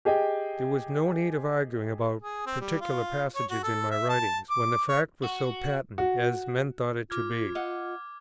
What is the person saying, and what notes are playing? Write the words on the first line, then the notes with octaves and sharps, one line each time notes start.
There was no need of arguing about particular passages in my writings, when the fact was so patent, as men thought it to be.
G4 G#4 D#5 G5
G#4
C4
G3
F4
C#5
F#4
A4
E5
A5
D6
C#5
F#4
F#4
F4 D6 F6 G#6
D#5 F5 F#5